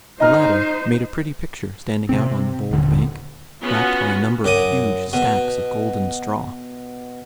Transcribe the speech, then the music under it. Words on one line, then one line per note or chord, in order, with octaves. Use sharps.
The latter made a pretty picture standing out on the bold bank, backed by a number of huge stacks of golden straw.
D#4 C5 D#5 A#5 F6
C3 C4
D#1 D3
B3 C#4 F4 F#4
F#2 D6 D#6
B2